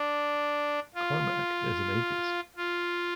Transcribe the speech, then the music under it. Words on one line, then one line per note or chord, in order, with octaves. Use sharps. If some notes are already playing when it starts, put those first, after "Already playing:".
Carmack is an atheist.
Already playing: D4
F4
F4